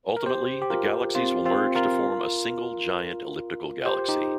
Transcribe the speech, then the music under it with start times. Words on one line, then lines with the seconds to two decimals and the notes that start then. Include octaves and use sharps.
Ultimately, the galaxies will merge to form a single giant elliptical galaxy.
0.17 A#4
0.26 G4 C5
0.62 G4
0.70 F4 A#4
1.15 C4 F4
1.45 C4 F4
1.75 F4 A#4
3.85 G4 C5
4.09 D#4 G4